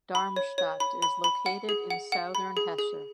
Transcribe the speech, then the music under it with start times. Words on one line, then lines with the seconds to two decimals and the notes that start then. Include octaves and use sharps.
Darmstadt is located in southern Hesse.
0.15 B5
0.36 C#5
0.58 C#5
0.80 B5
1.02 B5
1.24 B5
1.46 F#5
1.69 G#4
1.90 F#5
2.12 F#5
2.35 B5
2.57 G#4
2.79 G#4